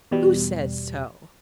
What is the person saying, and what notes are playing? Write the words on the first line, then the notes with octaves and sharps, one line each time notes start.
"Who says so?"
E2 B2 G3